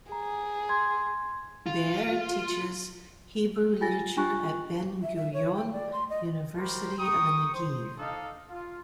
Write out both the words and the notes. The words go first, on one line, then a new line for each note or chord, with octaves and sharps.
Be'er teaches Hebrew literature at Ben-Gurion University of the Negev.
G#4 A#5
C6 G#6
F4
F4 G#5 A6 A#6
D4 F4 G#5 C#6 F#6
E5
E5
C#5
G5
D5
C6
D#5
G3 F#4 A#4 C5 B5
G5 A#5 C#6 D#6
C5
D4 D#4 A4 D#5 F5
F4